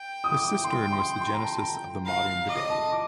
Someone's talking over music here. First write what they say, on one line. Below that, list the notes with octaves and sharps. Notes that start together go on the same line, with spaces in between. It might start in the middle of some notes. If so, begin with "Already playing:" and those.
The cistern was the genesis of the modern bidet.
Already playing: G5
D#6
D6
C6
C6
C6
A#5
A5
A#5
F5 A#5
D#5 D6
A5
D6